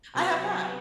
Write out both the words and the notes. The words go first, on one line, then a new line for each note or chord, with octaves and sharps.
I have not.
C3 F#3 B3